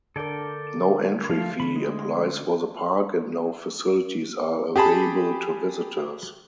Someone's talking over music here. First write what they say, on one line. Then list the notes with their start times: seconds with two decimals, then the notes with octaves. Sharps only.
No entry fee applies for the park and no facilities are available to visitors.
0.16 D3 A4 A#4 D5 G5
1.29 F3 A3 F4 F5
1.60 D3 B5
1.76 G#3
4.76 G4 G#4 A5 B5